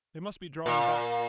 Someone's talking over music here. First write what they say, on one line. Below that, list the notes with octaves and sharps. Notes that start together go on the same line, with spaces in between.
They must be drawing back.
A#2